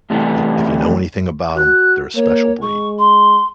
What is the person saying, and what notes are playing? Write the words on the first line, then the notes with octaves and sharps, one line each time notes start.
I if you know anything about 'em, they're a special breed.
A2 C3 E3 G3 A3 B3
F#4 F#6
A#3 C#5
G#3 C#6
C6